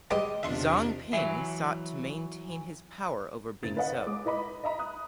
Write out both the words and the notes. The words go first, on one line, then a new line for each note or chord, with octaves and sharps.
Zhang Ping sought to maintain his power over Bingzhou.
G3 G#3 B3 G4 D#5
E2 C3 D#3 D4 F4 E5 C6 C#6
E3 F#3 E5
F#1 A6
B4 C#5 D#5 F5 F#5
G#3 D6 D#6
E4 B4 D#5 B5
D#5 E5 A#5 B5
D#6 F#6